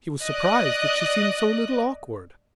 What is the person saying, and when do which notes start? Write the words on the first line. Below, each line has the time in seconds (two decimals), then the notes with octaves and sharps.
He was surprised that she seemed so little awkward.
0.22 D5 D#5 F#6